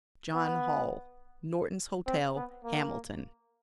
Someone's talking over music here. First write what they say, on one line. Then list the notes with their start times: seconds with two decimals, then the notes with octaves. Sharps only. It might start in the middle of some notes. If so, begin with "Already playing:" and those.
JOHN HALL, Norton's Hotel, Hamilton.
0.34 B3
2.07 C4
2.35 B3
2.64 A#3